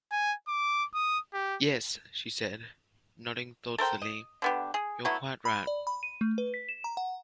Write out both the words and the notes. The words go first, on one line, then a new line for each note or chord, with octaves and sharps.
"Yes," she said, nodding thoughtfully, "you're quite right."
G#5
D6
D#6
G4
A4 A#4 C5 G5
D#5
D3 B3 G4
G#4
F#3 A3 B3 E4
B5
D5
B5
D#7
A3
B4
B6
E7
A#5
F#5